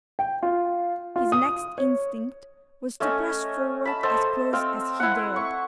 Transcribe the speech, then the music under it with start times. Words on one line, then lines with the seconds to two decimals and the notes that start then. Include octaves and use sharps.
His next instinct was to press forward as close as he dared....
0.19 G5
0.43 F4
1.16 F4
1.32 D#6
1.78 C#5
3.00 A3 C#4 D#5 G#5
3.85 A5 B5
4.03 A4 C5 D#5 A5
4.53 C4 F5 G5
5.00 E4 F#5
5.36 C#6